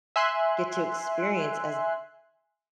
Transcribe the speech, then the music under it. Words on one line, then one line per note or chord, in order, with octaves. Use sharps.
get to experience as
E5 G#5 C6 F#6